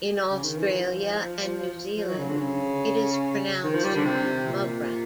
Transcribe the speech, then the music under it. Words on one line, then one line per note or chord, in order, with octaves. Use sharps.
In Australia and New Zealand it is pronounced "MuhGrah".
C#3
D#3
E3
F3
F3
F#3
C#3
D3
C#3
D#3
F3
G3
D3
C3
A#2